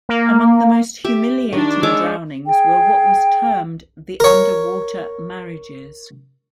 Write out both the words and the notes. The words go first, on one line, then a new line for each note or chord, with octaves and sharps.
Among the most humiliating drownings were what was termed the "underwater marriages".
A#3
G4 E5
D#3 D4
G#3 C#5 D6 E6
G#4 G5
A#4 C#5